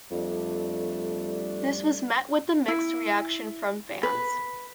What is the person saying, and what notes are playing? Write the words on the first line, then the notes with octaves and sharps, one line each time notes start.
This was met with mixed reaction from fans.
F2 G3 A3 D4
E4
B4